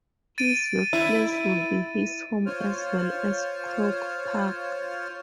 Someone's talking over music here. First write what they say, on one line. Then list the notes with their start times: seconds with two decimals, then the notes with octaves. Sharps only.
His workplace would be his home as well as Croke Park.
0.38 A6 D7 D#7
0.93 E4
2.46 F4 C5 C#5 F6